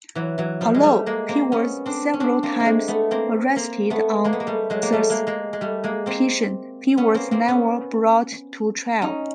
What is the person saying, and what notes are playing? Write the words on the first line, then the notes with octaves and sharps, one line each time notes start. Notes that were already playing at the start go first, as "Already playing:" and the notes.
Although he was several times arrested on suspicion, he was never brought to trial.
E3 F#3
E3 F#3
F3 G3
G#3
G3 A3
G#3 A#3
A#3 C4
B3 C#4
C4 D4
C#4
C4 D4
A#3 C4
A3
G#3 A#3
A3 B3
A#3 C4
A#3 C4
A3 B3
G#3 A#3
B3
A#3
G3 A3
F#3 G#3
A#3
G3 A3
G#3 A#3
G#3 A#3
G#3
G3 A3
G#3 A#3
A#3 C4
B3 C#4
A#3 C4
A#3 C4
B3 C#4
C#4 D#4